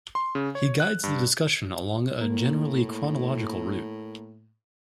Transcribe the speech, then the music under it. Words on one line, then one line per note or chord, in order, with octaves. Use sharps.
He guides the discussion along a generally chronological route.
C6
C#3
C#5
F#6
G2
A2 A#3